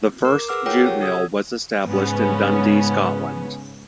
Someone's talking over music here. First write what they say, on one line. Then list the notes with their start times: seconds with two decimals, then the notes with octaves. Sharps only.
The first jute mill was established in Dundee, Scotland.
0.25 A#4 D6
0.48 G#4 B4 F#5 D6 E6 F6
0.66 F4 G#4 A#4 C#5 F#5 G5
0.84 G4 C#5 F#5
1.01 A4 D#6 E6 G#6
1.89 G#2 C#3 B3 C#4